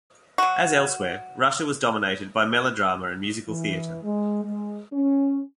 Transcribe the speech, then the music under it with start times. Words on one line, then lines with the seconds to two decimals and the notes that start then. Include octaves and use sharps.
As elsewhere, Russia was dominated by melodrama and musical theatre.
0.38 F#3 F#4
3.49 E3
4.03 G#3
4.44 G#3
4.92 C#4